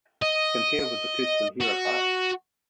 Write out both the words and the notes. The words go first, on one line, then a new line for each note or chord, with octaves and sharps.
Compare with the kutsinhira part.
D#5
F#4